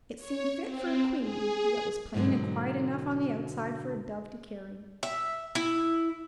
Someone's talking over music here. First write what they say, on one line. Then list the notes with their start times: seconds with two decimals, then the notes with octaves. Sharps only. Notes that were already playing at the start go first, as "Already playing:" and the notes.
It seemed fit for a queen, yet was plain and quiet enough on the outside for a dove to carry.
0.17 C#5
0.61 C4
1.17 G#4
2.15 G#2 B2 D3 D#3 F#3
5.03 E5
5.55 E4